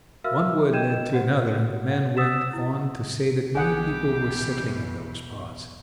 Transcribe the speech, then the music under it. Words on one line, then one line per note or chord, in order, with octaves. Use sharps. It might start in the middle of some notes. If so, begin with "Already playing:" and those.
One word led to another, and the man went on to say that many people were settling in those parts.
F#4 A#4 E5 F5 E6 F6
D#5 G5 G6 G#6 D#7 E7
F#4 G4 C5 F#5
F#5
F#5 D#6 E6 A6 B6 E7
E4
B1 B2 E3 G4 G#4 F#5